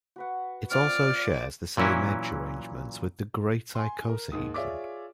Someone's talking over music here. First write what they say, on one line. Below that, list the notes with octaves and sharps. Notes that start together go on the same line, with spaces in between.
It also shares the same edge arrangement with the great icosahedron.
F#4 B4 F#5
C4 F4 D5 F6
A#2 E3 F#3 C#4 E4
G#5 C6
A#4
D#2 G#2 D#6
F4 G#4 C#5 D5 E5 D6